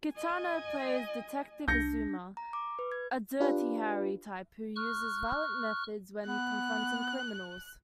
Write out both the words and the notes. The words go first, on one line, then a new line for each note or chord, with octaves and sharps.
Kitano plays detective Azuma, a "Dirty Harry"-type who uses violent methods when confronting criminals.
D#5 G#5
C2 D4 G6 A#6 C#7
A#5
D6
B4
G#6
D4 F4 G4 B4
C#6 F6 F#6
B3 F#6